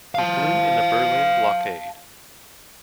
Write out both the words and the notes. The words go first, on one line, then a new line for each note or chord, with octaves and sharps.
He flew in the Berlin Blockade.
F5 A5